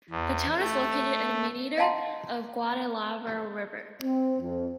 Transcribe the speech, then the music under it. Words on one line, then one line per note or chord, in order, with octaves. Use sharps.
The town is located in a meander of the Guadalaviar River.
E2
A3
D#5 F5 F#5 A5 A#5 C6
C4
F2